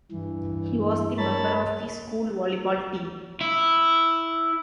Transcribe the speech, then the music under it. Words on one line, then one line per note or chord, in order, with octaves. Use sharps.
He was the member of the school volleyball team.
G2 E3
G2 A#4 C#5 A5 B5 A6
E4